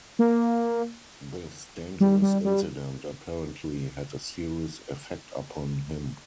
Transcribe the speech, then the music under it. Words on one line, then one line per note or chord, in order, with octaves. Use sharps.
This dangerous incident apparently had a serious effect upon him.
A#3
G3
G3
G3